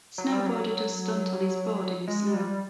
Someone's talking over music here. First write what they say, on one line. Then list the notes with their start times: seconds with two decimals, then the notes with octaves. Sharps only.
Snowboarder does stunt on his board in the snow.
0.18 F#3
0.32 G3
0.46 F#3
2.07 G#3
2.34 G3